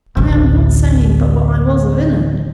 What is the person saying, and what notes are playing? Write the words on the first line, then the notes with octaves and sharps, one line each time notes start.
I am not saying but what I was a villain.
A1 D2